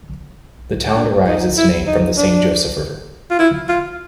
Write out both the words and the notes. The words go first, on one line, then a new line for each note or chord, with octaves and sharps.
The town derives its name from the Saint Joseph River.
D4
D#4
E4
D#4
D4
F4
E4
F4